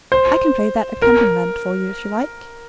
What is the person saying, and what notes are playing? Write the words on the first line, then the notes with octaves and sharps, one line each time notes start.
I can play that accompaniment for you if you like.
C5
A#4